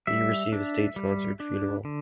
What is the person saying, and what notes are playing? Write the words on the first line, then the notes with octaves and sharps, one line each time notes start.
He received a state sponsored funeral.
G3 E5
D4
G3
D4
D3